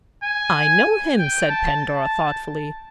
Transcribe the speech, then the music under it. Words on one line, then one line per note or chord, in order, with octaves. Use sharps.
"I know him," said Pandora, thoughtfully.
G#5
G5
A5
A5